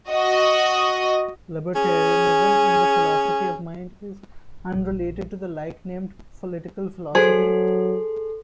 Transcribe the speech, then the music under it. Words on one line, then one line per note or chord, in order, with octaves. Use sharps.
Libertarianism in the philosophy of mind is unrelated to the like-named political philosophy.
F#4 D#5
C#4 G#4
A#1
F#3 G#4 A4 C5 C6